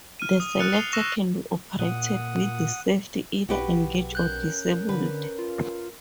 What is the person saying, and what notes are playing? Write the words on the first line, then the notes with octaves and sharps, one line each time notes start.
The selector can be operated with the safety either engaged or disabled.
F6 D#7
D#6
F6 F#6 A6 C#7 F7
C7 F7 G7
C#6 E6 A#6 E7
A#2 F#5 D#6
B1 F#4 G4 B4
C#4 A#4 F#6 G6
D3 B4
F4